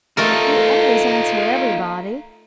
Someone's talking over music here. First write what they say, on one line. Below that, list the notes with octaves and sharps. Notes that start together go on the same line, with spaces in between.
You always answer every body.
A3 D#4 F4 A4 A#4